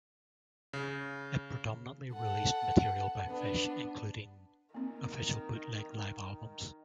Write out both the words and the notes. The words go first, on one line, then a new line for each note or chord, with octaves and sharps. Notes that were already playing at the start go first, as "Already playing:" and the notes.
It predominantly released material by Fish, including 'official bootleg' live albums.
C#3
A4 F#5
B3 D4
D#3 A#3 C4